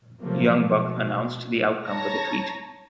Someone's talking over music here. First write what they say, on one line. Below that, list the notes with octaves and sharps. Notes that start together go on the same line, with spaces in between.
Young Buck announced the outcome with a Tweet.
C3 F3 F#3 A3 A#3
B2
C#5 A5 A#5 A#6